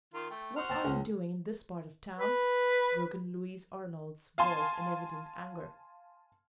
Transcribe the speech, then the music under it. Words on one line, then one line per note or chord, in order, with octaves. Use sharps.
"What are you doing in this part of town?" broke in Louis Arnold's voice in evident anger.
D#3 F4 A#4
A3 G5
F#4 C5 F6
C4 A5
C#2
B4
F5 G#5 A5 C6